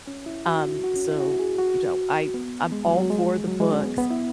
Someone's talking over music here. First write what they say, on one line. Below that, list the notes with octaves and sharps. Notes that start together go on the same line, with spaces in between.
um, so, you know, I I'm all for the books,
C#4
E4
F#4
F#4
C#4
E4
F#4
G#4
F#4
B3
G#3
F#3
F#3
G#3
F#3
G#3
C#4
B3
B3
E4